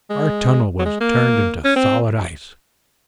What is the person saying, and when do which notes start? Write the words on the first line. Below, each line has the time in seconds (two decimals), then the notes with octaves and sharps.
Our tunnel was turned into solid ice.
0.10 G#3
0.79 F#3
0.85 G#3
1.00 A#3
1.65 C#4
1.76 C4